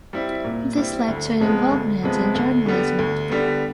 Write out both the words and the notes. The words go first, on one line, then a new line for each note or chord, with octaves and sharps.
This led to an involvement in journalism.
G3 C4 E4
A#2
G3 C4 E4
D2
C3 F3 G#3 B3
D2
C3 F3 G#3 B3
D2
D3 G3 B3
D2
D3 G3 B3